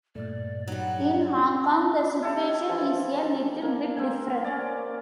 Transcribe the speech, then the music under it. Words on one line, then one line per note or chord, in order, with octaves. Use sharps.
In Hong Kong, the situation is a little bit different.
G2 A#2 A3 D5
F#3 G3 D#4 F#5
E4 G4 A4
E3 F3
A#3
C4 C5 G#5
C#4 D5